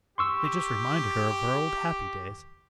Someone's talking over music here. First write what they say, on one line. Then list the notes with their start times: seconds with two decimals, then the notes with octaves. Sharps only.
They just reminded her of her old happy days.
0.18 G4 C6 C#6 E6